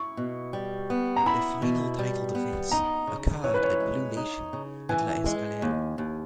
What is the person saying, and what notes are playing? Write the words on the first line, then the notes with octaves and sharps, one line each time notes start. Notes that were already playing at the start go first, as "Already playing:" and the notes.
Their final title defense occurred against Blue Nation at "La Escalera".
Already playing: E4 C#6
B2
G3
B3
A#5
E4 B5
B2
G3
B3
D#4 A#5
C#3
E3 C#5
B4
C#5
G#3
D#4
C#3
E3 G#5
G#3
D#2
D#2